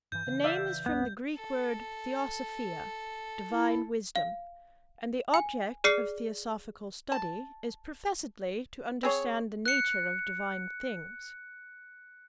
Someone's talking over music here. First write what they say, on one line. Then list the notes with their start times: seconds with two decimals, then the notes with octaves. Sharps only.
The name is from the Greek word theosophia--divine wisdom--and the object of theosophical study is professedly to understand the nature of divine things.
0.12 G2 E3 G6
0.27 C#3 E3
0.44 D5 E5 F5
0.86 F#1 C2 G3 B3
1.35 A4
3.50 E4
4.16 F5
5.34 G#5
5.84 G#4 D5 F6 C7 C#7
7.12 A5
9.03 C4 G#4 C#5
9.66 F#6 C#7